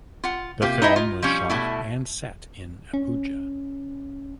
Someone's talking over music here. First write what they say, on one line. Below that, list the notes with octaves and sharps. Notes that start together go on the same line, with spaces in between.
The film was shot and set in Abuja.
F4 F#5
C3 A#3 F4 G4
D#4 E4 D#5 E5
F4
F3 G3 C#4
B2 A3 E4
C#4